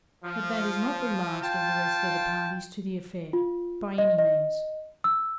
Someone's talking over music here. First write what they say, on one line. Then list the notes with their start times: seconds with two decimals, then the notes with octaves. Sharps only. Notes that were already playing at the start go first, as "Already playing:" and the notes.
But that is not the last of the rest of the parties to the affair, by any means.
0.23 F3
1.42 F4 G5 A5
3.33 F4
3.98 D#5
4.19 D#5
5.04 E6